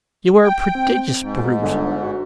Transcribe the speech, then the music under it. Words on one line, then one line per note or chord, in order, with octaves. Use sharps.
You are a prodigious brute.
G5
C4
G#2
G1 D3
F#4